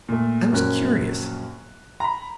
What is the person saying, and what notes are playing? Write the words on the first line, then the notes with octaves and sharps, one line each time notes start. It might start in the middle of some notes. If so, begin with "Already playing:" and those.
I was curious.
A#2 A3
A#1 F#2 C#4 A#4 F#6
A#5 B5